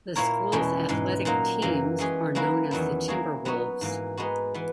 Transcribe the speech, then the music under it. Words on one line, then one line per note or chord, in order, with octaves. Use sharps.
The school's athletic teams are known as the Timberwolves.
A#2 A#3 E4 A#4 C#5
E2 B2 G#3 C#4 E4
G#2 E3 G#3
A#2 F#3 A#3 D#4
F#2 E3 A#3
E3 G#3 C#4 G#4
F#3 A#3 C#4 E4 B4
E2 D#3 F#3 B3 E4
F#3 A#3 E4 G#4 C#5
F#3 B3 D#4 F#4 C#5
G#2 E3 A#3
G#3 B3 D#4 F#4 B4
E3 B3